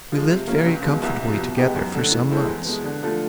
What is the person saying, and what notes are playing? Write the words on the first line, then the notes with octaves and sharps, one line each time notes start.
We lived very comfortably together for some months.
F3 G#3
C3
F3 A#3 C#4
C#2
B2 G#3
C2
C3 F3
B2
G#3 B3 D#4 G4
F#2
D3 F#3 A3
E3
G#3 C4 E4 A4
E2
B2 G#3
D3
F3 A3